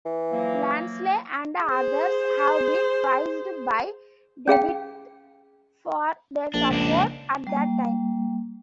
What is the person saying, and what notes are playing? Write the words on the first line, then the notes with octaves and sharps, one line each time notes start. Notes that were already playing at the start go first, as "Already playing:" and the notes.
Lansley and others have been praised by Tebbit for their support at that time.
E3
F3 F#3 A#3
G#4 C5
C#4 G#4 F5 G5
A#1 D4
C#2 D4
G3 A#3